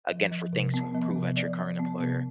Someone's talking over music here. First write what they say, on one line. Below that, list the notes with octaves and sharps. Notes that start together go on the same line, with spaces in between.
again, for things to improve at your current employer,
F3
F3
C3
B3
F3
C3
F3 D5
F3
B3
C3